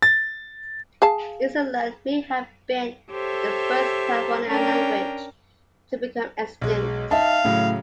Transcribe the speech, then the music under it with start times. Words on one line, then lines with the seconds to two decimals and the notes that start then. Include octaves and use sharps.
Esselen may have been the first California language to become extinct.
0.02 A6
1.02 G#4 F5 A5
3.12 G4 A4 C5 C#5 E5
4.47 C#4 D4 A#4 G5
6.61 B1 G#3
7.11 D#4 E5 F5 A5
7.45 A2 C#3 F#3